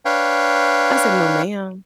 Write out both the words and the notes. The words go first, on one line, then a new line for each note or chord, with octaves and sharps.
I said, "No, ma'am."
D4 B4 C#5 F5 G5